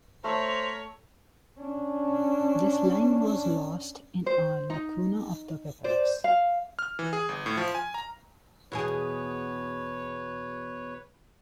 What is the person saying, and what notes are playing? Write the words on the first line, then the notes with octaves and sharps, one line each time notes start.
This line was lost in a lacuna of the papyrus.
A3 C5 C#5 A#5 B5 F6
C#4 D4
C5
D#4
C5 D5
F5
F6
E3
G#4
G1
A2
F3
G#5
A#5
E2 B2 G#4 B4 C#5